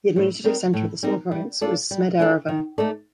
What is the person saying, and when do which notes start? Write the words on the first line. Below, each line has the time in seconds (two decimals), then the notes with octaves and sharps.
The administrative center of this smaller province was Smederevo.
0.16 A2
0.44 G3 C4 D#4 A#4
0.74 A2
1.03 G3 C4 D#4 A#4
1.32 G3
1.61 D4 F4 A4 D5
1.91 G3
2.19 D4 F4 A4 D5
2.48 D#3
2.78 A3 D#4 A4 D5